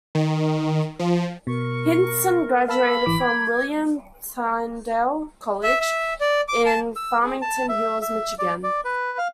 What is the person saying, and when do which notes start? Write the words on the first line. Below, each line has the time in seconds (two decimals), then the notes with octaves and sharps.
Hindson graduated from William Tyndale College in Farmington Hills, Michigan.
0.15 D#3
0.99 F3
1.47 B2 A#4 C#6
2.68 F5 A5 B5 E6
3.06 G#1 E3 D6
3.21 D6 G#6
5.63 E5
5.80 E5
6.21 D5
6.49 D6
6.66 A5
6.96 E6
7.24 G#4
7.42 A5
7.69 E5
8.02 E5
8.39 D5
8.63 D5
8.85 B4
9.18 F5